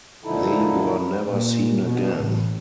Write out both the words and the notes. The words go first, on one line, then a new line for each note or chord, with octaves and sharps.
They were never seen again.
A#2 D3 F3 D#4 E4 A4
A#2
B2
A1